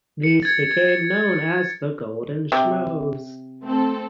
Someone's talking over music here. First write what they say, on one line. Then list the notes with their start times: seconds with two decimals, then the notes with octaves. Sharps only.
These became known as "The Golden Schmoes".
0.23 C#7
0.42 G#6 A6
2.52 C3
3.63 A3 C4 A4